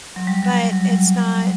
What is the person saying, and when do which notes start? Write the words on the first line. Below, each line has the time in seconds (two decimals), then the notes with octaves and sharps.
but it's not
0.16 F#3
0.27 G3
0.43 F#3
0.57 G3
0.73 F#3